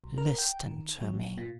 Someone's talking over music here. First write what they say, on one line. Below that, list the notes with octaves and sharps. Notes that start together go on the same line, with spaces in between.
'Listen to me.
B1
A#4
G5
D#3
F#3
A#2